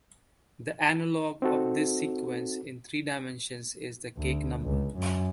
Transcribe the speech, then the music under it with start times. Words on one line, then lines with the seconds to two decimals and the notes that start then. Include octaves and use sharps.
The analogue of this sequence in three dimensions is the cake number.
1.42 C4 D#4 F#4 A4
4.17 D2
4.62 C#2
4.97 F#2